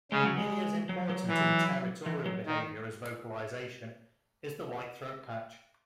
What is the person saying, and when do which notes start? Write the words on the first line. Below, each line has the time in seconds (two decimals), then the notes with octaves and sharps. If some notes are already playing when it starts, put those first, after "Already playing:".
Nearly as important in territorial behaviour as vocalization is the white throat patch.
0.11 C#3 G#3
0.25 F#3
0.38 G#3
0.89 F#3
1.09 F#3
1.28 E3 F#3
2.06 E3
2.26 F#3
2.46 D#3